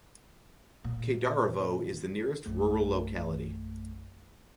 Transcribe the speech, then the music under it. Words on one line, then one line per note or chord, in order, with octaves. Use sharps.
Khaydarovo is the nearest rural locality.
A#2
A#1 F#2 A3